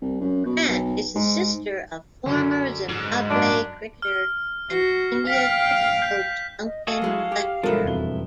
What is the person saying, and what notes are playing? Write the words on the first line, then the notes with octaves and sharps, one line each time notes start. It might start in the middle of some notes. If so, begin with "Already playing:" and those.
Grant is the sister of former Zimbabwe cricketer and India cricket coach Duncan Fletcher.
C2
F#2
B2
B1
G#2
F#2 D3
G#2
F#2 D4
F6
F#4 C7
F5 G5 B6
G6
D#5
F#4 G#4 A4 D#5 F5
F#3 G#3 E4
G4
B1 G2 F3 G#3 E4 F#4 A4 A#4
E1 F2 G7